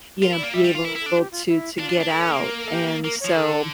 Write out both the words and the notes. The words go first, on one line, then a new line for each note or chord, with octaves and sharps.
you know, be able to to get out, and so,
F4 A#4
E4
D5
A#3
G3 E5
G3
F4
E4 A#4
E4
A4
D4
G4
F4
E4
D4 F4
D4
D4
E4 A4
C#4
A#3
A#4
A#4
A4
G4
A#3 A#4
F3 C#5
D3 A4